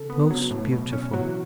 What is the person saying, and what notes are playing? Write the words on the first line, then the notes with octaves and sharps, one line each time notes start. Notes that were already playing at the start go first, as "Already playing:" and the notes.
Most beautiful.
Already playing: C#3 A4
B3
C#3 F#3
A2
B2
C#4
E3 F#3